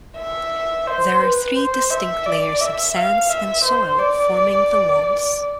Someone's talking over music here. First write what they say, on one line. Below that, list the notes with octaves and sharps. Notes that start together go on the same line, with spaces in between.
There are three distinct layers of sands and soil forming the Walls.
E5
C5
B4
C5
E5
D5
E5
F5
E5
C5
D5